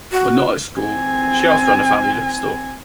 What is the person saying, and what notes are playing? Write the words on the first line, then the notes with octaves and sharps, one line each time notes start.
When not at school, she helps run the family liquor store.
F#4
C4 G#5